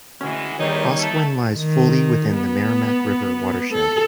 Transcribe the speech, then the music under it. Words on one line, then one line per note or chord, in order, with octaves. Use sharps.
Boscawen lies fully within the Merrimack River watershed.
D2 E3 G#3 C#4 F#4
E2 D#3 G3 A#3 D#4 C#5
A3
D#3
B3
A4